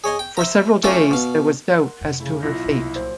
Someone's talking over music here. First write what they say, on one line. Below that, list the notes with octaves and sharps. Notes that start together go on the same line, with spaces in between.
For several days there was doubt as to her fate.
G#4 C#5 D#5 G#5
G5
C5 E5 A#5
A3 C#4 F4 C5 G5 D6
B2 F5
A#4 F#5 C6
F2 C3
C#3 A3 E4
B1 E4 F4 A#6
C2 C3
A#2 F#3 C5